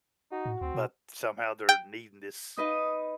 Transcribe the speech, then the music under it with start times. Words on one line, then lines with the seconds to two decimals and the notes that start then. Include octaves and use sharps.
but somehow they're needing this
0.32 D#4 F#4
0.46 A2
0.61 D2 C4
0.75 B2
1.69 G5
2.57 D#4 B4 D#5 D#6